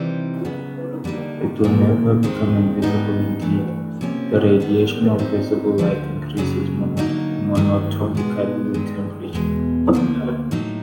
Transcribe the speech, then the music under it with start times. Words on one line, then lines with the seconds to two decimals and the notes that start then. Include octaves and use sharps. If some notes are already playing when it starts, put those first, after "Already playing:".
It will never become invisible-indeed, the radiation of visible light increases monotonically with temperature.
Already playing: C3 E3 G3 C4 D#4
0.45 C#3 F#3 B3
1.04 D3 G3 A#3 D#4
1.64 A#2 F3 A#3
2.23 D#2 D#3 G#3 C4
2.82 G#2 D#3 G3 B3 D#4
3.41 G2 E3 A3
4.01 C3 F3 A#3 C#4
4.60 F#2 D#3 G3 B3
5.18 G2 D#3 G3 C4 D#4
5.78 D2 D3 F3 A3
6.37 F#2 C#3 F#3 A#3
6.97 D3 F#3 A#3 D#4
7.55 G2 D#3 F#3 A3
8.15 B2 G#3 B3
8.74 G2 D#3 G#3
9.33 E2 B2 G#3
9.93 D2 D3 F3 A#3
10.51 A2 F#3 A#3 D#4